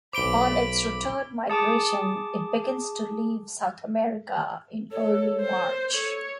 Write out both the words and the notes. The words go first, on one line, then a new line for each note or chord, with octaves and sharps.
On its return migration it begins to leave South America in early March.
B1 C5 B5 D6 D7 G7
G#4 A5 D6 D#6
A4 C#5
C5
A4 C#5